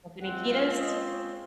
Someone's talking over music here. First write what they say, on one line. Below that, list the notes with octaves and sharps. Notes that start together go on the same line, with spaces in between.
Anthony Kiedis?
G#3 C4 F4 F#5
F5
D#5
C#5